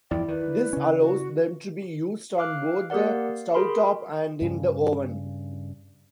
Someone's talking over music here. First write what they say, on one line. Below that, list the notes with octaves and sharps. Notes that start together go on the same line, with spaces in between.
This allows them to be used on both the stovetop and in the oven.
E2 G2 F3 E4 D5 G5
D#3 B4
C#3 C#4
F#4
F5 D6 F6 F#6
A#3 G4 A#4 D5 F#5
F5
F#4 G#4 A#4 B5 C6
G2 C#3